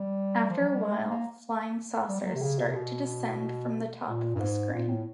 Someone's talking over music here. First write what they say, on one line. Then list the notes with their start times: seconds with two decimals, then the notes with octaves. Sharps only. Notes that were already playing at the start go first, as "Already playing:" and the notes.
After a while, flying saucers start to descend from the top of the screen.
Already playing: G3
0.50 F3
0.61 F#3
0.72 G3
0.82 G#3
0.94 A3
1.11 A#3
2.09 G3
2.20 G3
2.25 F#3
2.35 C3
2.42 C#3
2.59 C3
2.75 B2
4.07 A#2
4.35 G2
4.40 G#2
4.74 A#2
4.89 A2